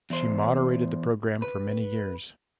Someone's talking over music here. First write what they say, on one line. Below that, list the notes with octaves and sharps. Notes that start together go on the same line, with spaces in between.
She moderated the programme for many years.
E2 C5
B4